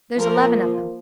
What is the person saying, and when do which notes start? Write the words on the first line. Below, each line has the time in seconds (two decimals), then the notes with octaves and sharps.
There's eleven of them.
0.19 F3 A#3 A#4